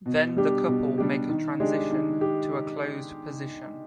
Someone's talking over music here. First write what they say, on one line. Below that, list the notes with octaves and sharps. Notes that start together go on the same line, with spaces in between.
Then the couple makes a transition to a closed position.
B2
G3 D4 G4
B2
G3 D4 G4
D#3
G#3 D4 G4
D#3
G4